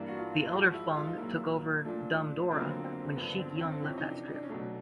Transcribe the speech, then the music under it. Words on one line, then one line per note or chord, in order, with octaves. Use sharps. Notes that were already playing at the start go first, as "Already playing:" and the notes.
The elder Fung took over "Dumb Dora" when Chic Young left that strip.
Already playing: G2 E3 G3 A#3
F#4
F4
G#2 F3 G#3 F#4
E4
F4
D#4
A#2 F#3 A#3 E4
A#2 F3 A3 D4
F2 D3 F#3 A#3 C4
B3
C4
C4
G2 D3 F3 B3
C4
C#4
C4
F2 C3 E3 C#4
D#4
D4
D#4
D4
C#4
B2 F#3 A3 D4